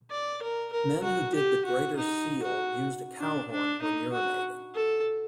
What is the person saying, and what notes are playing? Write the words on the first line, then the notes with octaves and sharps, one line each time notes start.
Men who did the "greater seal" used a cow-horn when urinating.
D5
A#4
A#4
F#4
G4
F#4
D#4
F#4
D4
D4
D#4
F#4
A4